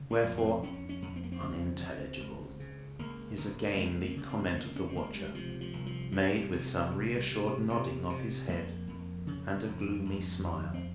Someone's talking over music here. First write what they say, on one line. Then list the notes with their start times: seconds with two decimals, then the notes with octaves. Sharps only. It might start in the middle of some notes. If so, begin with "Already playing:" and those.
Wherefore 'unintelligible!' is again the comment of the watcher, made with some reassured nodding of his head, and a gloomy smile.
Already playing: C#3
0.11 A#3
0.23 F2
0.37 C4
0.63 F2 C#4
0.89 C#4
1.02 F2
1.16 C4
1.23 A#3
1.32 C4
1.41 C#3
1.80 C#3
2.20 C#2
2.60 C#3
2.99 C#2 A#3
3.37 C#2
3.77 C#2 G#3
4.04 A#3
4.16 C#3
4.29 C4
4.55 C#2 A#3
4.76 C#4
4.89 C4
4.95 C#2 A#3
5.15 G3
5.34 C3 F3
5.61 F3
5.73 C2
5.86 F3
6.12 C2 G3
6.53 C3
6.91 C2
7.31 C3
7.70 C3
8.10 C3
8.48 F2 A#3
8.87 F2
9.27 C#3
9.67 F2
10.05 F2
10.45 F2
10.74 C4